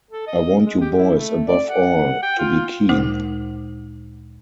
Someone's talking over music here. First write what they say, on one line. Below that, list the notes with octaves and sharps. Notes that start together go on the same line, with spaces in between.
I want you boys above all to be keen.
A4
D#5
G#3
G4
E4
A3
D5
F#5
G5
F4
D2 A#2 G#3 D#4 C5